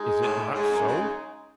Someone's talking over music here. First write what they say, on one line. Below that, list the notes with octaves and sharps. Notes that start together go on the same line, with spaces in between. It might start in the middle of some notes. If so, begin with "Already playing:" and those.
Is it not so?'
Already playing: G#3 D#4 G#4
A2
G#2 G#3 D#4 G#4
F#2
C#3